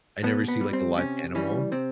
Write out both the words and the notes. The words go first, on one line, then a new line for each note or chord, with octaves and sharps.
I never see, like, a live animal.
B2 B3
B3
G3
C4
C3 C#4
E3 G3 C#4
C3 C4